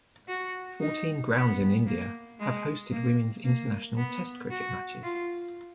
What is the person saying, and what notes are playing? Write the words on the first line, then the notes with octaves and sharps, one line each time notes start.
Fourteen grounds in India have hosted women's international Test cricket matches.
F#4
D#4
B3
A#3
G#3
A#3
A#3
B3
F#4
F4